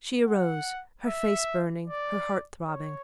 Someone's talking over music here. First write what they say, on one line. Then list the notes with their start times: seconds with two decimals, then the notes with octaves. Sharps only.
She arose; her face burning, her heart throbbing.
0.26 F#5
1.06 E5
1.87 D5
2.68 C#5